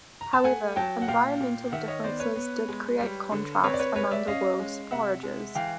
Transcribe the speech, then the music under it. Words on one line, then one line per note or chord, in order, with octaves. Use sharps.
However, environmental differences did create contrasts among the world's foragers.
A#5
A5
A3 F#5 G#5
F#3 G5 A5
F#5
A#2 F5 G5
A#2
D#3 E5 F#5
C#5 D#5
B3 C5 D5
B4 C#5
B3
G#3
G3
D3
C4 B4 C#5
D5
B4 C#5
G3 B4 C#5
D5 E5
C#4 D#5 F5
G#3
C3 E5 F#5
G#3
E3 F5 G5